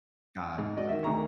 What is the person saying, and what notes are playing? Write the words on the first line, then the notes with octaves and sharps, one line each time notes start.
Got you. Okay.
G#2
F#4 D5 D#5
D#3 E5
D2 D#3 G#4 A#5 C#6